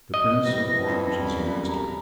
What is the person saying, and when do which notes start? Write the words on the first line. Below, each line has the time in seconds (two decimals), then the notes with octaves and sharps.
The Prince of Orange is master.
0.14 D#5
0.45 F3 G3 E4 B4 A#6
0.87 F2 F4
1.18 F#2 G3 B5
1.67 A#5